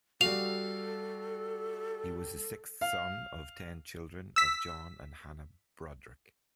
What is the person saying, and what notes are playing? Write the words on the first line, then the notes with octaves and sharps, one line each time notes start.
He was the sixth son of ten children of John and Hannah Brodrick.
G3 F#4 A4 F5 F7
F5
E6 B6